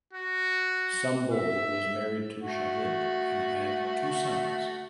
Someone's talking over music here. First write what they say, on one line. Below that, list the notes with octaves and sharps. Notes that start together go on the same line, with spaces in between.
Sumbul was married to Shahid and had two sons.
F#4
E5
A3 F#4